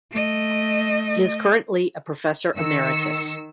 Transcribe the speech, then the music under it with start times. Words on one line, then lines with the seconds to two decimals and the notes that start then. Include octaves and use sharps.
He is currently a Professor emeritus.
0.12 A3 D#5
2.55 D#3 E6 C#7